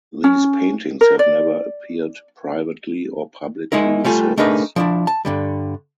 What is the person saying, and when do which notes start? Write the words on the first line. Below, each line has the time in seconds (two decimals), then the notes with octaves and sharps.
These paintings have never appeared privately or publicly since.
0.24 C#4
1.01 A#4
1.19 D5
3.72 G#3 D#4 E4 A#4
4.05 G3 A3 F4 G#5
4.38 A3 D4 D#4 G#4 A#4 B4
4.76 F3 D4 E4
5.07 A5
5.25 G2 D3 G3